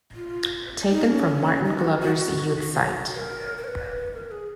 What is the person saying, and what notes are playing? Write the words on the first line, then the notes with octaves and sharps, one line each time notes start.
Taken from Martin Glover's Youth site.
F4
D#4
D#4
C#4
D#4
F#4
F#4
F#4
B4
A#4
A#4
C#5
B4
A#4
G#4